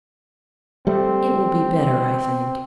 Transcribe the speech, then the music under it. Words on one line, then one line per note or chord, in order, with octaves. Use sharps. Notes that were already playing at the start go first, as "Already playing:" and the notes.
"It will be better, I think."
G3 A3 C4